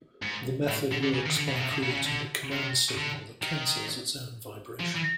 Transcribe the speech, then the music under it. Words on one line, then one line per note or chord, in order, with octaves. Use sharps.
The method works by creating a command signal that cancels its own vibration.
G#2
A2
D3
D3
C#3
D#3
D3
C#3
B2
C3
D3
C#3
D3
C#3
D3
C3
D3
D#3
F3
E3